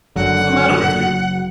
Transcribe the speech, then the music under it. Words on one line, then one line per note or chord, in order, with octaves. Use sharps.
What's the matter with you?
F#1 F#2 D3 F#3 F#5